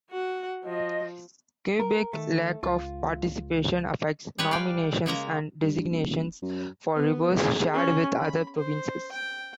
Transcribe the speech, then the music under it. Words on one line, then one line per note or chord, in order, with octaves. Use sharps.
Quebec's lack of participation affects nominations and designations for rivers shared with other provinces.
F#4 F#5
F3 D#5
A#4
D#3 A3
C#2 F4
G3 G#3 B4 C#5
D5 F5 G5
C#3 G#3 A#3 A#5
G2
D#1
F#2
B3
G#4
C#4
B5
C5
G5